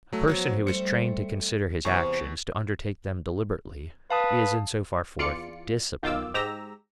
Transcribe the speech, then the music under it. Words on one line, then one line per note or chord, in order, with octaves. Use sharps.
A person who is trained to consider his actions, to undertake them deliberately, is in so far forth disciplined.
F#3 A3
F3 F#3 B3 C#4
G3 A3 C4 C#7
E2 C3 C4 C#6
B4 F5 A5 D#6
E2 F4 D5 C#7
B1 D#3 F4 D6 E6
G#2 G4 A#5 E6 A#6